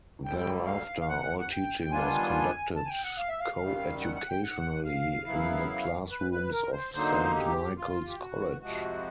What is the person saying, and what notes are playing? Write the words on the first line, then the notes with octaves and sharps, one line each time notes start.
Thereafter, all teaching was conducted coeducationally in the classrooms of Saint Michael's College.
D2 D3 G3 G5
G5
F5
F5
F#5
F#5
G5
G5
D#3 G3 B3 D4 F4 G#5
A5
G#5
G5
F#5
F5
E5
F5
F#2 D#3 G3
F#5
F#5
G5
F#5
F5
F#2 C#3 F#3 B3 E4
B4
B4
A#4
C5
D3 F#3 A#3 D#4 C5
G4
F4
G4
F#4
F2 C3 F3 G#3 F#4